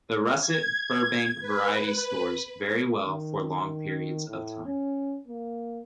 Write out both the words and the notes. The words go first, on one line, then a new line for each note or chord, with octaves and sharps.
The Russet Burbank variety stores very well for long periods of time.
G#6
B4
D#3
D#3
A2
C#4
A#3